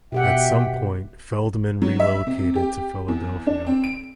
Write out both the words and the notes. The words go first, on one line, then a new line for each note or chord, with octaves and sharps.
At some point Feldman relocated to Philadelphia.
B2 G4 E5 F#5 G5
F#3
E5
C3
G4
E2
D4
C4
D7